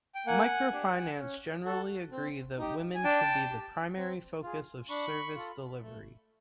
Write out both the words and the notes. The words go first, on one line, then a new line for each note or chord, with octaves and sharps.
Microfinance generally agree that women should be the primary focus of service delivery.
G5
A#3 F#5 G#5
D4 G4
C#4
F#4 A4
C4
D#4 G4
G#5
D4 G5 A5
G4
C4
F4 G#4
D4 B5 C#6
F4 A4
A3